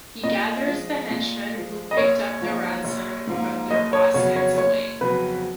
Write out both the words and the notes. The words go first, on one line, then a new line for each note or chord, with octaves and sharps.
He gathers the henchmen who picked up the ransom, but their boss gets away.
A#2 D#5
F3 G#3
A#2
F3 G#3
D#5
A#1 C#5
G#2 F3 A#3
A#1
G#2 F3 A#3
F#1 D#5
C#5
F2 C#3 F#3 B3 C#5
C#5
F#1 C#5
F2 C#3 F#3 B3 B4